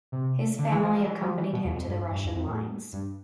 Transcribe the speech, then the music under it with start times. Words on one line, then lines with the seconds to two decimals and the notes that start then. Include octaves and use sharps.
His family accompanied him to the Russian lines.
0.12 C3
0.59 D3
0.71 E3
0.83 F3
0.95 F3
1.07 E3
1.21 F3
1.38 E3
1.53 B2
1.64 E2
1.76 F2
1.88 G2
2.11 G2
2.24 E2
2.35 F2
2.46 A2
2.93 G2